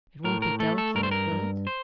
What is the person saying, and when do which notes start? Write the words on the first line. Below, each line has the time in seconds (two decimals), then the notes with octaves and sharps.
"It won't be delicate, will it?"
0.24 A2 A#4
0.42 A#4
0.60 A3 A4
0.78 A4
0.95 G2 A#4
1.03 C5
1.11 A#4
1.31 G2
1.67 C5